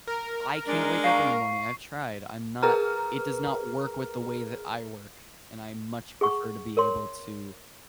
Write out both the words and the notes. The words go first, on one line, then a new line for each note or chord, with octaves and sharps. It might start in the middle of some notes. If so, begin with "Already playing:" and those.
I can't wake up in the morning, I've tried, I'm not it does not work with the way that I work, and I much prefer to be able to,
A#4
G#3 D4
F5 C#6 C7
G#4 A#4 B4 A#5 F6
G#4 F#5 C#6
A#4 C#5 C6